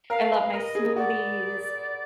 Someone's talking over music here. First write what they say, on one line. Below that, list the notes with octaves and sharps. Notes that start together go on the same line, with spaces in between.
I love my smoothies.
A#4 F5
B4
A#4 D#5
G#4
F#4 D5